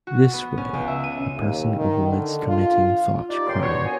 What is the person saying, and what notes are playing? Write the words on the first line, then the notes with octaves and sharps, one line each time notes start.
This way, a person avoids committing thoughtcrime.
F#4
B3
C#4
C#2
E5
D#7
D#2
D#3
D3
F4
D4 D#4 F4 G4 D5
A#2 C#4 D#4 G5 C6
B3 D4 F4 F#4 C#5
D#2 B3 G#5